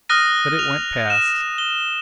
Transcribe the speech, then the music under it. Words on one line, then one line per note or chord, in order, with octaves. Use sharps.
But it went past.
D#6 F6 F#6 A#6 D#7
F7
E7
G7